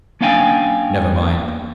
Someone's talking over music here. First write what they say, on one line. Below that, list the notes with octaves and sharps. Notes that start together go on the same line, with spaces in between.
Never mind.
A#3 C#4 D4 F5 G5 G#5